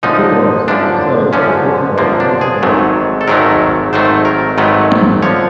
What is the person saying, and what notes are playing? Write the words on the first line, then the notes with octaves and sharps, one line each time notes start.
The ticket offices themselves were built out of polished oak.
F#2 D3 F3 D#4
F#2 D3 F3 D4
F#2 D3 F3 C#4
F#2 D3 F3 A#3
D4
G#4
G#1 G#2 D#3 F#3 A3
A4
G#1 G#2 D#3 F#3 A3 A#4
G#1 G#2 D#3 F#3 A3 C5
A#4
G#1 G#2 D#3 F#3 A3 B4
D3 F3 C#5